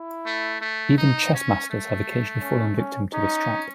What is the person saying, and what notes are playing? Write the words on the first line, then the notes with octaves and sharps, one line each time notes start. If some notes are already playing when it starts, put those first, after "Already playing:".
Even chess masters have occasionally fallen victim to this trap.
Already playing: E4
A3
A3
D#4
C#4
A3
C#4
C#4
C#4 D#4